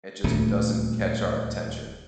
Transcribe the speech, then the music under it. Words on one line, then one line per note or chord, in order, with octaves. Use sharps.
it just doesn't catch our attention,
D#1 D2 A3